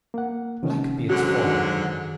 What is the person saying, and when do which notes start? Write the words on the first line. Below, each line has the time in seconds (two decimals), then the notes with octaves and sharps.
Black be its fall!
0.14 A#3 F#5
0.63 C3 D#3 C#4
1.09 G#2 D3 F#3 F#4
1.45 F#2 D#3